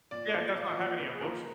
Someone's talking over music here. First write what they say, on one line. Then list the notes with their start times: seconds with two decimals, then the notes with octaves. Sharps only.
Yeah, it does not have any emotion.
0.11 A#2 D5
0.33 F3 A#3 F4 D5
0.55 A#2 F5
0.67 D#5
0.77 F3 A#3 F4 D5
0.99 A#2 B4
1.15 G#4
1.21 F3 A#3 F4 A#4